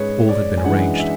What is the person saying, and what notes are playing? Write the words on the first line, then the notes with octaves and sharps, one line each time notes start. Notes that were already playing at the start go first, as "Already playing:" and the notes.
All had been arranged.
Already playing: G#2 G#3 C#4 G#4 B4 C#5
D5
G#5
F#2 E3 G#3 D4 F#5
E5